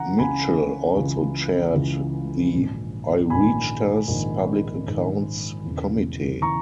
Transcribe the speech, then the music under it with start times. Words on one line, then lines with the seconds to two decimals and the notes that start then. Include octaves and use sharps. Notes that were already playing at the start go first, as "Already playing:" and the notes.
Mitchell also chaired the Oireachtas "Public Accounts Committee".
Already playing: C#3 E3 F#5 A#5
0.18 C#2 C#3 E3 G#5 B5
0.96 C#2 C#3 E3
1.74 C#2 C#3 E3
2.53 A#1 G#2 D#3
3.30 A#1 G#2 D#3 G#5 B5
4.08 A#1 G#2 D#3
4.86 A#1 G#2 D#3
5.64 E1 E2 C#3 E3
6.42 C#3 E3 A#5 C#6